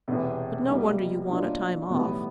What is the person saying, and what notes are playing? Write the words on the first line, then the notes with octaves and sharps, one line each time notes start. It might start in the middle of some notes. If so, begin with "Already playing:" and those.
But no wonder you want a time off.
E1 E2 C3
C2 B2 G3 A#3 D#4
B2 F#3 A#3 D4 F4
B1 A2 E3 G3 B3